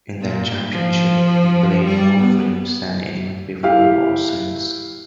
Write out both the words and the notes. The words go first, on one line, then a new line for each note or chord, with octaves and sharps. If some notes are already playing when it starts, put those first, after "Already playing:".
In that championship he played more frames than anyone before or since.
A#2
F3
G3
B3
E4 G4 F5